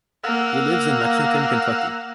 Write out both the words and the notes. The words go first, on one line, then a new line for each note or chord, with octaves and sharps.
He lives in Lexington, Kentucky.
A#3 F5 F#5 E6